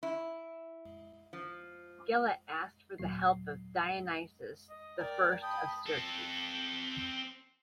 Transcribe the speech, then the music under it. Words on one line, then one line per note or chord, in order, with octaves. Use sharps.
Gela asked for the help of Dionysius the First of Syracuse.
E4
F3
D#2 A#2 F#3 C7
D#5
A#4 D5 G5
G5 A5 B5 D#6
C4 A4